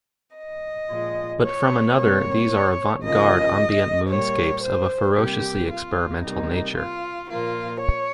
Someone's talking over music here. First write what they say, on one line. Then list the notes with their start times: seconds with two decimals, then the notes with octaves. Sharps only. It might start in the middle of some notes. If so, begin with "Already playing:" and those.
But from another these are avant garde ambient moonscapes of a ferociously experimental nature.
0.37 D#5
0.89 A#2 F3 G#3
1.44 C#5
1.96 C3 G3 A#3 C#5
3.03 C#3 F3 A#3 D#5
4.10 A#2 G3 A#3 C#5
4.64 C5
5.17 C3 G3 A#3 G4
5.70 F4
6.23 C3 G3 A#3 D#4
6.77 F4
7.30 A#2 F3 A#3 F4
7.83 C#5